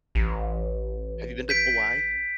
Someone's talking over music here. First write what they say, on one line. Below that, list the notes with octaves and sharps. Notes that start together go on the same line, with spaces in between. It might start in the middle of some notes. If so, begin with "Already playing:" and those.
Have you been to Kauai?
A1
G6 B6 D7